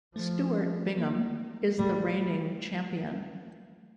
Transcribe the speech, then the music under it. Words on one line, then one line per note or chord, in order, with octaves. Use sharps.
Stuart Bingham is the reigning champion.
F3 A3
A#3
G3 A3